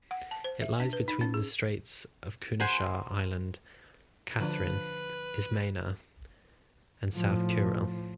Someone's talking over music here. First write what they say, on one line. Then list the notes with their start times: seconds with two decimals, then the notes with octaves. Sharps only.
It lies between the straits of Kunashir Island, Catherine, Izmena, and South Kuril.
0.11 F#5
0.31 A5
0.44 C5
0.62 E5
0.80 D4
0.93 B4
1.08 D#4
1.21 C#4
1.34 G#4
2.60 C5 F#5 G#5 A#5 B5
4.40 D3 F3 D4 B4
7.12 A2 F3